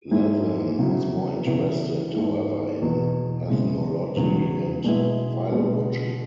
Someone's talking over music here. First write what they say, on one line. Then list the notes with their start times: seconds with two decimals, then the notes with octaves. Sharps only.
Latham was more interested, however, in ethnology and philology.
0.11 G#2 G#3 E4
0.79 C#3 F#3 E4
1.46 C#3 E3 B3 E4
2.13 G#2 G#3 E4
2.81 E2 B2 B3
3.49 C#3 G#3 E4
4.16 E2 C#3 F#3
4.84 B2 G#3 B3 E4
5.52 B2 G#3 B3